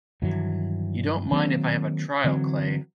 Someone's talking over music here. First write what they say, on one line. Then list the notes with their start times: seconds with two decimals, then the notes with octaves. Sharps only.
You don't mind if I have a trial, Clay.
0.22 G2 D#3 E3 F#3
1.32 D#3 F#3 A#3 C4
2.24 D3 E3 F#3 C4